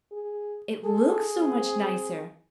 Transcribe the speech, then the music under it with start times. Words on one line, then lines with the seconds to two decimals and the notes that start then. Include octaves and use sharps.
It LOOKS so much nicer.
0.12 G#4
0.85 G#4 A4
1.38 C4